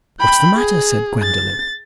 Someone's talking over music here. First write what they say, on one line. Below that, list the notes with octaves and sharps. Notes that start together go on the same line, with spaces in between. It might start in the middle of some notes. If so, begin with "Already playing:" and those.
"What's the matter?" said Gwendolen.
G5 B5
G#4
A6